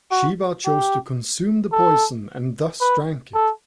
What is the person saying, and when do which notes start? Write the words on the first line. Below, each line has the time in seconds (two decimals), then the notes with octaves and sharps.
Shiva chose to consume the poison and thus drank it.
0.11 F#4
0.65 G4
1.72 A4
2.81 B4
3.34 A4